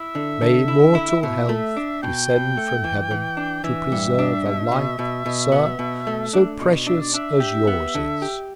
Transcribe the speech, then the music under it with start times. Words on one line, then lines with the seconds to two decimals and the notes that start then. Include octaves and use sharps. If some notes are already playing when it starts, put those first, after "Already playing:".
May immortal Health descend from Heaven to preserve a Life, Sir, so precious as yours is.
Already playing: E4 E5
0.15 D3
0.41 D3
0.68 E4
0.95 E4
1.22 B2 E5
1.49 A3
1.77 D4
2.03 B2 G5
2.30 B2
2.57 A3
2.84 E3
3.11 E3
3.37 D4
3.64 E3 E5
3.92 G2
4.19 D4
4.46 B2
4.72 B2
4.99 B2
5.26 B2
5.52 B3
5.79 B2
6.07 A3
6.33 D4
6.61 B2
6.87 D4 E5
7.01 D5
7.14 D4 E5
7.40 G4
7.67 B3
7.95 D3
8.22 G4